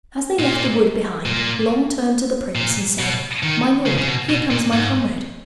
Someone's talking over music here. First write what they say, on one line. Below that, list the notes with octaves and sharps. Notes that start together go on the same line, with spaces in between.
As they left the wood behind, Long turned to the prince and said, 'My lord, here comes my comrade.
A#2
A#2
A#2
B2
D#3
C#3
C#3
B2
B2
A#2
G#2